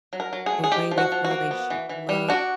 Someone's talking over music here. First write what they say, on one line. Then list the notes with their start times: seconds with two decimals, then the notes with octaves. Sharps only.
the way they feel they should look,
0.13 F#3
0.20 A#4
0.33 F#3
0.46 G#4
0.52 A3
0.64 G#4
0.72 D#4 G4
0.91 F3
0.98 F#4
1.12 F3
1.24 F#4
1.31 A#3
1.51 B3
1.70 E3
1.89 E3
2.09 G3
2.28 D4 F#4